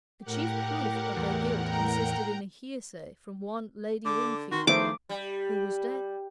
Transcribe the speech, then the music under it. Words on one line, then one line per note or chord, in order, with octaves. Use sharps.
The chief proof of their guilt consisted in a hearsay from one Lady Wingfield, who was dead.
A2 G4 A#4 F#5
E2
G5 A#5
D3 D6
D#3 F#4 C6
E2 D#3 F3 A3 C5 D6
G3